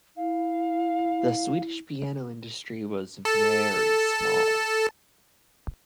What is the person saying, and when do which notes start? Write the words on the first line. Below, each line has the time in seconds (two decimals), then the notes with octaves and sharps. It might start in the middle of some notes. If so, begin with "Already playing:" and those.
The Swedish piano industry was very small.
0.16 E4 F5
3.25 A4 A5